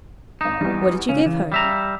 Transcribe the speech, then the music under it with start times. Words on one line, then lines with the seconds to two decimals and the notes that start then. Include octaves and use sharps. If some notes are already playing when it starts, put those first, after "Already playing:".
'What did you give her?'
0.41 G#1 D#4 E7
0.61 E2 G3
1.09 C#2 C#3 C#4
1.26 E3
1.52 G3 E5 A#5